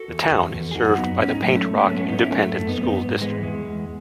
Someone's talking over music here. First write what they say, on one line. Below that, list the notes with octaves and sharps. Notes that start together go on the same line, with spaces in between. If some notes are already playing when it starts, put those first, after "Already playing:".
The town is served by the Paint Rock Independent School District.
Already playing: F#4 A4
E2
E2
E2
G#4
F#2 D#4 F#4
F#2 B3 D#4
G#2 C#4
D#4
F#3 A3 C#4
G#2 A3
G#3 B3
F#3 A3 C#4
A3 C#4
G#2 B3 D#4
C#4 E4
F#3 A3 C#4
A3
F#2 A3
B3 D#4
F#2
B3 D#4
G#2
E3 G#3 B3
E2 G#3
E2